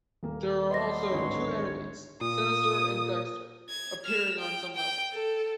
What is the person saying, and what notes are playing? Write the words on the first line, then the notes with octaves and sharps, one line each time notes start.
There are also two enemies, Sinister and Dexter, appearing on some levels.
D#1 A#3
B2 F#3 D5 D#5 C6 A#6
G#1 D2 A2 C#5
A#2 D#6
G#6
F6 E7
G5
G5
A4